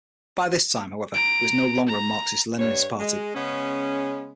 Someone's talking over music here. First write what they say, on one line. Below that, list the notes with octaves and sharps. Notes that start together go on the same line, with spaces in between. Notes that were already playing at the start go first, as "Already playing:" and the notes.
By this time, however, it was no longer a Marxist-Leninist party.
A#5 D7
A#5
G2 C#5
G#3
C#3 G#3 B3 C#4